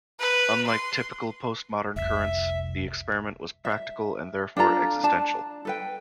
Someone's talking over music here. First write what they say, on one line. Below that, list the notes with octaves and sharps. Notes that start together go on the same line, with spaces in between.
Unlike typical postmodern currents, the experiment was practical and therefore existential.
B4
C6
F1 C2 E5
E5
D4 F4 A4 A#5
D4 A5
A4 B4 G5